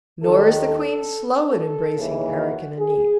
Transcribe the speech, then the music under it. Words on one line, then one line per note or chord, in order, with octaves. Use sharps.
Nor is the Queen slow in embracing Erec and Enide.
D#2 D#3 A4
A4
A4
D#2 C#3 E3
F#4
G#4